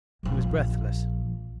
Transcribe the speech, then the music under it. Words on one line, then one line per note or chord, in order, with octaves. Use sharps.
She was breathless.
A#1 F3